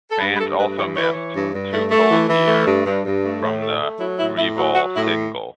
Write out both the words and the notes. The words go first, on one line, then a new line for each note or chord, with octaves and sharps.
Fans also missed "Too Cold Here" from the "Revol" single.
A4
G2 B4
B4
A3 A4
G2 B4
B4
E3 C#5
E3 C#5
B4
E3 C#5
G2
G2
A3
A3
E3
E3
A3
G2
G2
G2
A3
A2
A3
A3
F#3 E4
A2 E4
A2 E4
F#3 F#4
F#3 F#4
A2 E4